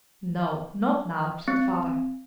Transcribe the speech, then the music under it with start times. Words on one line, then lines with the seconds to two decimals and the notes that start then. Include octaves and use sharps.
"No, not now," said Father.
1.48 C4